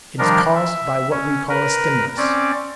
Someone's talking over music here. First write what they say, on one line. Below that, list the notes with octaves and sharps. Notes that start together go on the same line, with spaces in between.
It is caused by what we call a STIMULUS.
D#3 F3 G3 D4 A#4
E5
C#4
A#4 B4
C4 C#4 D5